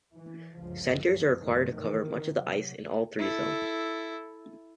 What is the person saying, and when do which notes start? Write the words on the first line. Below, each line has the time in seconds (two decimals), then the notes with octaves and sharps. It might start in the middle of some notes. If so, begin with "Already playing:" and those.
Centres are required to cover much of the ice in all three zones.
0.17 E3
0.56 G1 C#2 F#2 C#3 F3
1.40 G1 F#2 B2 D#3 F3 A3
1.70 D#3 E3
2.34 C3 F#3
3.19 E4 A4